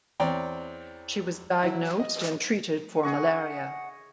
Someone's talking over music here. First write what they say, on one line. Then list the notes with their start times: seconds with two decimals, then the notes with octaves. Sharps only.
She was diagnosed and treated for malaria.
0.20 E2 C4 C#5 D5 G5 A#5
1.63 F#3 E4
2.00 D#5
3.03 G#4 D#5 F#5 C#6